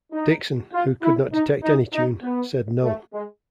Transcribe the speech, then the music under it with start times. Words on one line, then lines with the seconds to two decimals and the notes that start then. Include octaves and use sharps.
Dickson, who could not detect any tune, said no.
0.12 D#4
0.72 F4
1.02 E4
1.33 D#4
1.63 D#4
1.93 D#4
2.22 B3
2.83 A3
3.13 G#3